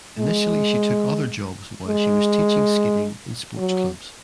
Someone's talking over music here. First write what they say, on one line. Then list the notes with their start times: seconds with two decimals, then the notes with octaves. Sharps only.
Initially she took other jobs while she was teaching skating in sports clubs.
0.19 G#3
1.88 G#3
3.57 F#3